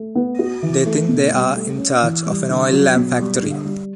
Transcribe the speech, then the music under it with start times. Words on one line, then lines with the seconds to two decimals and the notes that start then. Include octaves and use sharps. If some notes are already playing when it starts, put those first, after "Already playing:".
They think they are in charge of an oil lamp factory.
Already playing: A3
0.15 B3
0.39 F#4
0.62 E3
0.86 A3
1.08 B2
1.32 G3
1.55 A3
1.78 C#4
2.02 E3
2.26 G3
2.49 D3
2.72 F#3
2.95 B2
3.19 G3
3.42 D3
3.65 G3